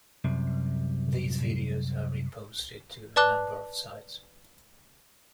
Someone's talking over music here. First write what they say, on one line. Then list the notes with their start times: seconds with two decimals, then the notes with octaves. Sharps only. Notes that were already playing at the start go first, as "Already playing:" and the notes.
These videos are re-posted to a number of sites.
0.24 C2 F#2 C3
3.16 B4 D5 A5 D6 F#6 G7